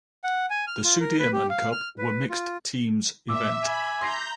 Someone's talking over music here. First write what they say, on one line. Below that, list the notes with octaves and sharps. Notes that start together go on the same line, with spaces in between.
The Sudirman Cup were mixed teams event.
F#5
G#5
F6
F4
A#4
B4
G4
F5
F6
B4
F4
A#2 E5 D6 E6
G#5 B5 E7
A#5 C6 G6 A#6 C7